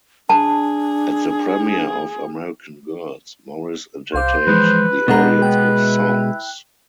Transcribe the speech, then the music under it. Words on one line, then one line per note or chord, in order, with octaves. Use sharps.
At the premiere of "American Girls" Morris entertained the audience with songs.
D4 G#4 A5
C2 C5 F5 D6
E3 F3 G#3 B4
B2 G#3 D4 G4 F#5 A#5
B3 G5 F#6
E4